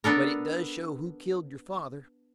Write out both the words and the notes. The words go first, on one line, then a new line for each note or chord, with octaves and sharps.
But it does show who killed your father.
B3 D4 A4 A#4